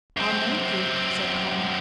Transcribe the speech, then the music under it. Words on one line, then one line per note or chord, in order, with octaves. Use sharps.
"I'll make you," said Colin.
F#2 C4